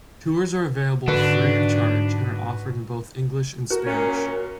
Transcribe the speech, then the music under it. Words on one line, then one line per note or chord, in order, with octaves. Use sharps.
Tours are available free of charge and are offered in both English and Spanish.
G#2 D3 D4 F#4 B4
F#4 A#4
A#2 C#4